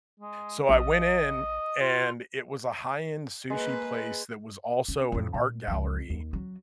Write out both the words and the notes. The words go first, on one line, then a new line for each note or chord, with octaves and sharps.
so, I went in, and it was a high-end sushi place that was also an art gallery,
G#3
A#1 D#5
F4
G#3 A#3 B4 E6
C#4
F2 A2
A#2
C#2 F3
D#2
F#3